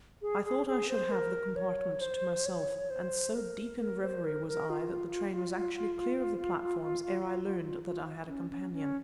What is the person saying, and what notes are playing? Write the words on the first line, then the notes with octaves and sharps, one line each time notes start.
I thought I should have the compartment to myself, and so deep in reverie was I that the train was actually clear of the platforms ere I learned that I had a companion.
G#4
G#4
G#4
C5
A#4
C#5
C5
C#5
C5
A#4
A#4
C5
A#4
A#4
F4
C#4
C#4
C#4